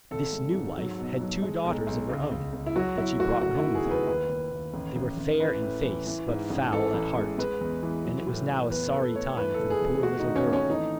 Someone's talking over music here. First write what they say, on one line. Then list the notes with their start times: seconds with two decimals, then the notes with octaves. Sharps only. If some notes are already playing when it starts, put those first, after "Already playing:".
This new wife had two daughters of her own, that she brought home with her; they were fair in face but foul at heart, and it was now a sorry time for the poor little girl.
0.11 G#1 A4
0.33 G#3
0.54 G#2
0.77 F#3
0.99 B2
1.21 F#3
1.42 G#3
1.64 B1
1.87 B1
2.09 C#2
2.31 C#2
2.53 C#2
2.66 E4
2.76 F#3 F#4
2.97 F#3 E4
3.19 A3 F#4
3.41 F#1 F#4
3.58 E4
3.64 D#3
3.74 G#4
3.85 F#2
3.91 B4
4.07 D#2 B4
4.30 D#2
4.51 D#2
4.74 A1
4.96 A1
5.18 A1
5.40 E3 B4
5.62 A2
5.84 E3
6.07 E3
6.28 G#2
6.50 A1
6.72 E3 A4
6.94 A1
7.17 G#3
7.38 G#3 B4
7.61 E2
7.83 E3
8.04 F#3
8.27 A2
8.49 A2
8.70 E2 B4
8.92 E2 A4
9.15 A3 C#5
9.37 E3 B4
9.54 E1 A4
9.70 G#4
9.81 E1 G#4
10.03 A3 F#4
10.20 D#4
10.26 G#1
10.36 C#4
10.48 A3
10.53 C#4
10.69 E3 D#4